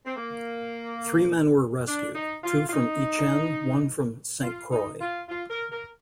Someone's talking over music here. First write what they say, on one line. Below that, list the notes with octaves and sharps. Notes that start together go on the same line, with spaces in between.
Three men were rescued, two from "Itchen", one from "Saint Croix".
C4
A#3
D4
D#4
F4
F4
D#4
F4
D#4
F4
F4
A#4
A#4